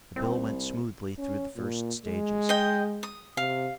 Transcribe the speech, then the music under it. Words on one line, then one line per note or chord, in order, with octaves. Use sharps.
The bill went smoothly through the first stages.
C2 C4
C#4
A#2
G#3
D#5 G5
D#6
C3 F5